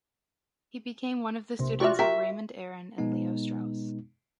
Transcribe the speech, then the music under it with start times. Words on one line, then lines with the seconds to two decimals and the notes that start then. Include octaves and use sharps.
He became one of the students of Raymond Aron and Leo Strauss.
1.59 A#1 C3
1.80 G3 F4 F#4 D5 E5 C#6
1.99 G4 A#4 E5
2.98 B2 G#3 B3 D#4